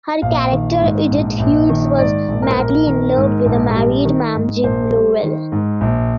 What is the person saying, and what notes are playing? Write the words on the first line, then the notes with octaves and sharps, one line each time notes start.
Her character, Edith Hughes, was madly in love with a married man, Jim Lowell.
A#1 F5
D#3
G#2
A#1
A#1
D#3
G#2 D5
A#1
A#4
C5
A#1 A#4
D#3 A#4
G#2
A#1
G3
D#3
G#2
A#1 C5
G3
D#3
G#2
A#1